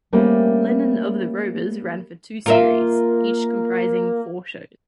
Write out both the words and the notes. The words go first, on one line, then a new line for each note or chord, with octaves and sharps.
Lenin of the Rovers ran for two series, each comprising four shows.
G3 A3 A#3 C4 C#4
A#3 F4 A#4 E5